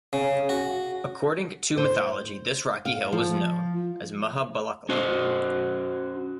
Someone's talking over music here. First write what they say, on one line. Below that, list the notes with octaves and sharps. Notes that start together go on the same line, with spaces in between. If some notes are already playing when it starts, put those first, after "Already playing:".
According to mythology, this rocky hill was known as Mahabalachala.
C#3
F#4
C5
F5
F3
C#4 F#4 C5